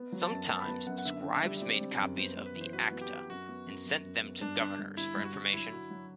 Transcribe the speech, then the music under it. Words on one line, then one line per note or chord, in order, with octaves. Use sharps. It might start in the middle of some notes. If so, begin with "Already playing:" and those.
Sometimes scribes made copies of the "Acta" and sent them to governors for information.
Already playing: B3
F#3
A5
F#2
B3 A5
B5
B3 A5
F#2 F#5
F#5
D3 E5
D3
E5
G3
E5
C4 D5
G3
F#2
B3 C5
B3
B4
E3
C5
F#4 B4
B3
G4
E3
F#2 F#4
B3
F#2
F#2
F#2
B3
G2 D4
D3 D4
G2
D3 E4
G2
F#4
D3
F#3 E4
F#4
F#3